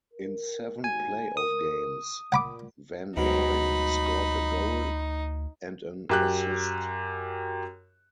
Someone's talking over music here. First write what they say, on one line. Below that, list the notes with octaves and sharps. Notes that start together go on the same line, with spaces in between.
In seven playoff games, Van Ryn scored a goal and an assist.
A#4
D#2 G#2 F#4 G#5
A#4 D#6
A#2 F#5 B5 D6
D2 G#2 B2 F#3 D#4 B5
F#2 G4 F#6